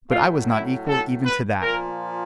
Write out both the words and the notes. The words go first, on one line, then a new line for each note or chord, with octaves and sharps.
But I was not equal even to that.
A2 F#3 F4
E4
A4
B4
A#2 F3 A#4